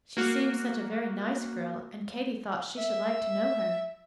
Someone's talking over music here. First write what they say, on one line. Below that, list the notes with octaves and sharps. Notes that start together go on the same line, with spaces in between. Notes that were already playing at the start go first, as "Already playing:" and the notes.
She seemed such a very nice girl, and Katy thought she should like to know her.
A#3 F#4 F#6
E5